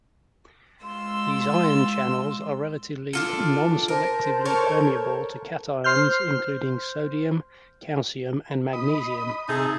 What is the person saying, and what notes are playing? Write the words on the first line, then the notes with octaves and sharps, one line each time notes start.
These ion channels are relatively non-selectively permeable to cations, including sodium, calcium and magnesium.
G#3 F4 C6 E6
D4 F4 A4
A#4 C5 A5
A4 A#4 C#5
C5 C6 F6 G6
D#5 B5 D#6
C3 D#4 G#4 E5 A5